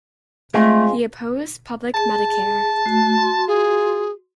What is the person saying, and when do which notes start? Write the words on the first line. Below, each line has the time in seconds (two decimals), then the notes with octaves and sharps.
He opposed public medicare.
0.54 G#3 A3 C4 F4
1.94 G#4 A5
2.86 A3 F#4
3.14 F#4 C6
3.48 F4 G#4